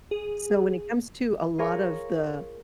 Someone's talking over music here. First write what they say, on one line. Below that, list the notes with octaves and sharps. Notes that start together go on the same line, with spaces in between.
So when it comes to a lot of the,
G#4
F4 G#4 A#4 C#5